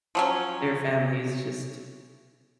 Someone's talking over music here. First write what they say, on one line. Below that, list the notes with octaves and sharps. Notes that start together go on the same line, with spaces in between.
their family is just it
F3 F#3 C#4